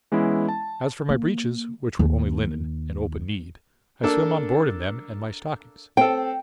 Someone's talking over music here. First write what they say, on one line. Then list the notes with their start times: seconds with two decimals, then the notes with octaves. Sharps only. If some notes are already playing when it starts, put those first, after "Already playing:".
As for my breeches, which were only linen, and open-kneed, I swam on board in them and my stockings.
0.12 E3 G#3 B3 C#4 E4
0.49 A5
1.09 A#3
1.99 D#2
4.03 A#3 D4 A4
5.97 C4 A4 G5